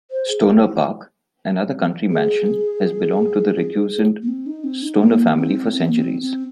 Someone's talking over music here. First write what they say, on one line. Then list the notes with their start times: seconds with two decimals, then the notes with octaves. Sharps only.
Stonor Park, another country mansion, has belonged to the recusant Stonor family for centuries.
0.10 C5
0.28 G#4
2.10 G#4
4.22 A#3
4.27 C4
4.46 D#4
4.63 C4
4.82 D#4
5.00 A#3
5.37 C4
5.73 C4
5.88 A#3
5.97 C4
6.21 C4